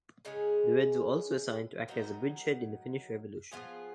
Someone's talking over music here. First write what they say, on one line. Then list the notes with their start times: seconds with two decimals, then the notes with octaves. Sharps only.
The Reds were also assigned to act as a bridgehead in the Finnish revolution.
0.25 C#3 G#3 C#4 G#4
1.88 D#3 F#3 B3 D#4
3.52 F3 B3 F4 G#4